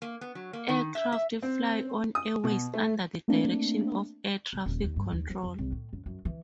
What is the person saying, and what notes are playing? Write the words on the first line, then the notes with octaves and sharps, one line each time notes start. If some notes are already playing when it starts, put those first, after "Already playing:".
Aircraft fly on airways under the direction of air traffic control.
A#3
B3
F#3
A#3
D#3
E5
E5
C4
D#6
B2
A3
A3 A#3 C4 D4
B1
D#1
D#2
G2
D#2
F3
F2
C2
A2
F#2
F#2
E3